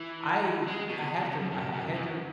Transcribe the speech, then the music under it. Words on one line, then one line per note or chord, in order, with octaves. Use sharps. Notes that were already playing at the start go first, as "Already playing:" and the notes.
I I have to I I had to
Already playing: E3
G#3
B2
F#2
F#2
F#2
F#2
F#2
F#2